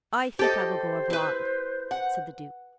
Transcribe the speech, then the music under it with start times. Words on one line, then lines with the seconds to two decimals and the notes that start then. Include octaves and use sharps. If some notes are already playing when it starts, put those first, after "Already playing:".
"I think I will go abroad," said the Duke.
0.39 G4 A4 C5 D#5
1.10 E4 B4
1.91 F#5